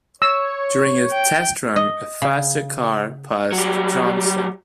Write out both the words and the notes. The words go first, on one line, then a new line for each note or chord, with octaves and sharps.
During a test run a faster car passed Johnson.
C#5 E6
G5
D#5
C#3
F#3 G3